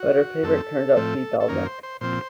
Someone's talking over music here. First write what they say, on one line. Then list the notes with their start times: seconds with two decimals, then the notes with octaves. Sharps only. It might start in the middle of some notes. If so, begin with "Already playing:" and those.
But her favourite turns out to be Balzac.
Already playing: F#4
0.43 F#2 D#3 A3 C4 A4
0.96 A2 F3 A3 C4
1.40 A4
1.48 F#2 D#3 A#3 C#4 A#4
1.66 C5
1.83 C5
2.01 A#2 F3 C4 C5